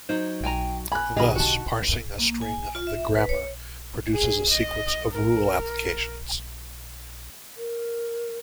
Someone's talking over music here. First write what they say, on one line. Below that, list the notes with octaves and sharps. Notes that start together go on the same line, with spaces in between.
Thus, parsing a string of the grammar produces a sequence of rule applications.
F#3 D#4 C5
G5 G#5 A#5
G#5 B5 F#6
B1 D3 D#4 G4 G#4 A#4 B5
F#4 A5
A#3
G#5
F4
E5
B4
C#5
G#4
D#5
A#4
A#4